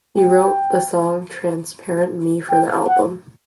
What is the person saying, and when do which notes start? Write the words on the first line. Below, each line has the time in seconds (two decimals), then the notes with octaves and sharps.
He wrote the song Transparent Me for the album.
0.18 G5
2.50 G5
2.88 F#5